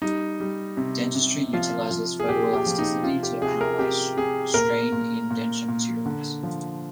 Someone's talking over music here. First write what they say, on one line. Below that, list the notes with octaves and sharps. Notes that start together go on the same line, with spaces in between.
Dentistry utilizes photoelasticity to analyze strain in denture materials.
G3 D#4
G3
C3
C3
F3 F4
F3
G#4
A#2 G4
G4
F3
D#4
C3 F4
G4
C3 G#4
A#4
C3 G4
C3 G#4
A#2 A#4
A#2
A#2
A#2
D3
F3